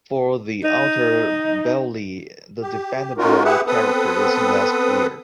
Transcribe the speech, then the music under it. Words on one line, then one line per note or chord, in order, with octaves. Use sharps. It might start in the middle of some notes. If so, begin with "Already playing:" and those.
For the outer bailey the defendable character is less clear.
D#4
G4
C#4 D#4 F4 F#4 A#4
G4 G#4 B4 E5 F#5
B3 C4 A4 B4 D#6